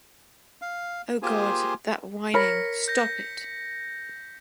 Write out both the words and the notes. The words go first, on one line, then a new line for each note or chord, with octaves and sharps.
Oh, God, that whining. Stop it!
F5
A#3 F4 G4 G#4 C5 G#5
A#4 C#5 B5 A#6 B6 C#7
G6 A#6